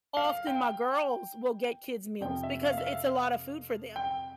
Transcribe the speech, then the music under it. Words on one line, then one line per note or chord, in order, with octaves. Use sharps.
often my girls will get kids meals because it's a lot of food for them.
F5
G5
F2 C3 F3 G5
E5
F5
E5
F5
G5